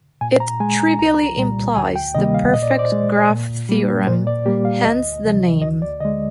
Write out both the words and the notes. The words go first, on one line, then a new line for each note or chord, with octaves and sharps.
It trivially implies the perfect graph theorem, hence the name.
A#2 G#5
A#5
G#3 G#5
A#5
C2 A#5
A#2 G3
D2 G#5
G5
C3 D#3 G3 A#3 D#5
F5
A#2 D#5
D5
C5
D5
G#3
A#2
G3 A#3
A#2 C5
D5
G3 A#3 G4
F5
D2 D#5
C3 F3
D2 D#5
D5
D3 G#3 D#5